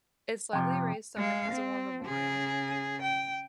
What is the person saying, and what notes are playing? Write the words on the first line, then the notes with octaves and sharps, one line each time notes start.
Its lightly raised summit has a war memorial.
F2 C3 F3 G5
G#3 F5
C4
C#3 G#4
G5